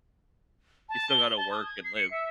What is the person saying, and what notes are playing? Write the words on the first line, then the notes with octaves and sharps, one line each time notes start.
you still gotta work and live.
A5
G7
A5
D#6
G#6
C7
C#7
E5